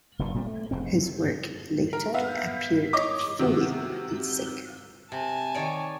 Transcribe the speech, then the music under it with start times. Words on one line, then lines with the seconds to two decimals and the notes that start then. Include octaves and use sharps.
His work later appeared in "Fooey" and "Sick".
0.19 F#1 G2 A#2
0.34 A#2 G3 C4
0.46 A3
0.71 F1 G#2 C4
1.93 A#4
2.14 B3 E5 F5
2.93 C#5 D#5 D6
3.39 C3 D#3 F#4
5.12 C3 G#5 A5
5.54 D#3 C#5 D5